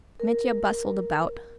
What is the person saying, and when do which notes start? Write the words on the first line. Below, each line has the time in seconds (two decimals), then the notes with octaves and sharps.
Mitya bustled about.
0.20 A#4